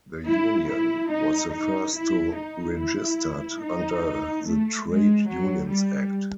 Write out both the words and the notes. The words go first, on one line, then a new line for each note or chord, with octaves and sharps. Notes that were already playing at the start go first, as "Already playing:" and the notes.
The union was the first to registered under the Trade Unions Act.
E4
E4
D#4
D#4
E4
D#4
E4
D#4
A3
G#3
F#3
G3